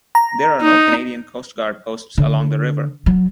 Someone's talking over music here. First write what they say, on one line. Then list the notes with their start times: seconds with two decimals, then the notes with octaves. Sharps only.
There are no Canadian Coast Guard posts along the river.
0.15 A#5
0.61 D#4
2.18 D3
3.06 F#3